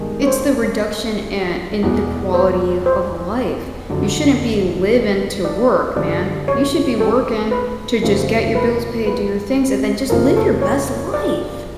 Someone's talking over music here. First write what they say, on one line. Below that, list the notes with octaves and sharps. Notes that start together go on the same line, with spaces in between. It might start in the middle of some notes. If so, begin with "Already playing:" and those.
It's the reduction, eh, in the quality of life. You shouldn't be living to work, man. You should be working to just get your bills paid, do your things, and then just live your best life,
Already playing: G2 D#3 G#3 B3
C#5
C5
E2 B2 G#3 B3
C5
C5
F2 D3 F#3
D5
F#2 D3 G3 D5
C#5
A4
B4
F2 C#3 F3 A3 C4
B4
B4
F2 C#3 F3 A#3 A#4
A4
C#5
D5